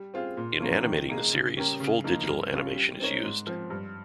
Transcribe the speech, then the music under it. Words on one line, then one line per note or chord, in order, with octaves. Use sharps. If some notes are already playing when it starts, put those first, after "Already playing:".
In animating the series, full-digital animation is used.
Already playing: G3
C4 F4 G#4
A#2
F3 A#3 C#4
D#3
A#3 D#4 G#4
C#3
G3 C#4 G4 A#4
C#3
F3 A#3 D#4
G2
G3 C#4 F4
G3
C4 D#4 A#4 C#5
G#2
F3 C4
G2